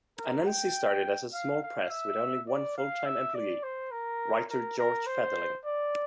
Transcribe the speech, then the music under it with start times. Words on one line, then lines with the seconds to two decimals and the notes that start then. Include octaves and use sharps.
Anansi started as a small press with only one full-time employee, writer George Fetherling.
0.18 A#4
0.47 G5
1.33 F5
1.62 F5
1.90 E5
2.48 D5
2.78 F5
3.06 E5
3.35 D5
3.63 C5
3.92 A#4
4.50 A#4
4.79 A#4
5.07 C5
5.65 D5